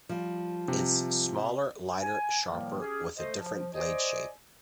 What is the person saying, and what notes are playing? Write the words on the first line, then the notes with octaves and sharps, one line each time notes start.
It's smaller lighter sharper with a different blade shape.
F3 G3
C3
G#5
A2 D#3 F3 G3 A#3
C#4 G4 G#4
A3 A4 C5 D#5
F3
C5 D5 D#5 G#5